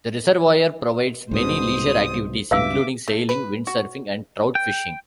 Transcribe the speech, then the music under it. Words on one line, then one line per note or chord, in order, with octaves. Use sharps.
The reservoir provides many leisure activities including sailing, windsurfing and trout-fishing.
C2 G#2 B2 C5 D#6
C#2 G2 B2 B4 E5 F5 D6 E6
A3
B4
F#4
G5